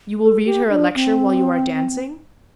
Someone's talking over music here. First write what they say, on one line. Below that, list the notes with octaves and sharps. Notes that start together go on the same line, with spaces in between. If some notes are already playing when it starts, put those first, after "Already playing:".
"You will read her a lecture while you are dancing?"
A4
G4
D4
C4